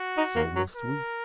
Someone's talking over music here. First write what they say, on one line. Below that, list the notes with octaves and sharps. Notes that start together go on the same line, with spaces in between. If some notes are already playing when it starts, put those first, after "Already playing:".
"So must we."
Already playing: F#4
D#4
A#3
F#3
A#4